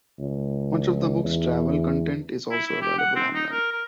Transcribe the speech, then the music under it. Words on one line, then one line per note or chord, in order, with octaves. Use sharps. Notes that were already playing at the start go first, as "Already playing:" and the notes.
Much of the books' travel content is also available online.
C#2
E2
E4
E4
G4
F#5
C4
D#4
A#4
A#4